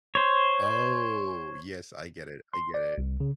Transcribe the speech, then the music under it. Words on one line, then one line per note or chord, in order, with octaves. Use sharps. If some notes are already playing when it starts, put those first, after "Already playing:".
Oh, yes, I get it, I get it.
C5 C#5
C6
D5
C2
C#3